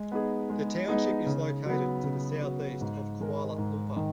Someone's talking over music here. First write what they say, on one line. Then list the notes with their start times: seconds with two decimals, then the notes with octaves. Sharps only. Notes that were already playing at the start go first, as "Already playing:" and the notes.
The township is located to the south-east of Kuala Lumpur.
Already playing: G#3
0.11 B3 D#4 G#4
0.49 G#3
0.88 B3 D#4 G#4
1.26 C#3
1.65 F#3 B3
2.04 C#3
2.42 F#3 B3
2.81 G#2
3.20 D#3 G#3 D#4 A#4
3.58 G#2
3.97 D#3